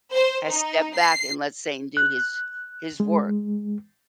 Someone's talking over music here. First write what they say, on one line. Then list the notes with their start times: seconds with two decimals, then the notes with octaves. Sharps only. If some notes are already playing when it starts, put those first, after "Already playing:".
has stepped back and let Satan do his his work,
0.12 C5
0.48 D#4
0.95 C7
1.97 F#6
3.00 G#3